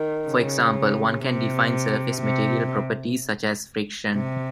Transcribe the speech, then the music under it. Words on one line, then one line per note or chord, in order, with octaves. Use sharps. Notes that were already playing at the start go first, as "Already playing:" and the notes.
For example, one can define surface material properties such as friction.
Already playing: D#3
C#3
C3
C3
C3